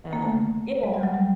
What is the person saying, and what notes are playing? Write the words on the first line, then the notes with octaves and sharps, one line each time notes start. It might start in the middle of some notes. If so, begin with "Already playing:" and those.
Um, yeah.
A#3
A3
G#3
G3
F#3
G3